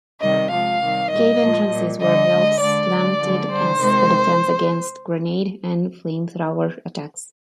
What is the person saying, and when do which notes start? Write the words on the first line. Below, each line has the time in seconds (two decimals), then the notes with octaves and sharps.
Cave entrances were built slanted as a defense against grenade and flamethrower attacks.
0.21 C3 D#3 G3 D#5
0.50 C3 F3 G#3 F5
0.81 C3 D#3 G3
1.10 A#2 G3 D#5
1.40 A#2 F3 G#3
1.71 A#2 G3
1.99 D3 G3 D#5
2.29 D3 G#3
2.59 D3 G#3 D5
2.89 D3 G#3
3.19 D3 F3 G#3
3.48 D3 G3 C5
3.78 C3 D#3 G#3